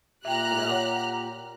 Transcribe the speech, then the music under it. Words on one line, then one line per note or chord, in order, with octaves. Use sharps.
you know?
A#2 G4 E5 G5 A#5 F6 F#6
C#5 F#5